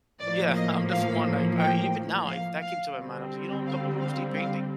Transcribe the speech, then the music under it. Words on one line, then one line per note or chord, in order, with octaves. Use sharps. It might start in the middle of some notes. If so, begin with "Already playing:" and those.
Yeah. I'm definitely one. Like, even now, if that came to my mind, I was, you know, a couple of rooms need painting.
A2 F3 A#3 D5
D#5
F5
G5
F5
F5
D3 G3 C4
F5
F5
F5